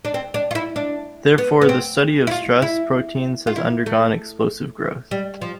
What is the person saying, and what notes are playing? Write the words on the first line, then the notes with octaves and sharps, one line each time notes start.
Therefore, the study of stress proteins has undergone explosive growth.
D4
C4
D4
F4
E4
D4
B3
B3
C4
E4
F4
E4
F4
E4
A3
G3
F3